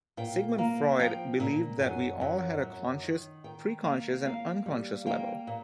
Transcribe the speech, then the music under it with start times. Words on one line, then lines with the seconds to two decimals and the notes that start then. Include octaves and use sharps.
Sigmund Freud believed that we all had a conscious, preconscious, and unconscious level.
0.17 A#2 G5
0.58 A#3
0.99 F3 G5
1.40 A#2
1.81 F#2 G#5
2.21 F#2
2.62 F#2
3.03 D#3
3.44 D#3 G5
3.85 A#3
4.25 A#3 F5
4.66 G3
5.06 A#3 G5
5.47 A#2